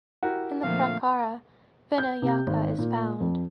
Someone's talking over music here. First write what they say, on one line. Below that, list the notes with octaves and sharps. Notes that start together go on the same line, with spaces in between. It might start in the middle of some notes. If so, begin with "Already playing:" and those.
In the prakara Vinayaka is found.
E4 F#4 G4 A#4
A#2 D3 F3 A3 A#3 C4 F5
G6
C3
G#1
A#2
F2